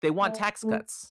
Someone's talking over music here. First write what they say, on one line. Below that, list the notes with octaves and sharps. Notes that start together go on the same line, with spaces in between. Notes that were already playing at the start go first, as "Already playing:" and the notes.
they want tax cuts.
A3
A3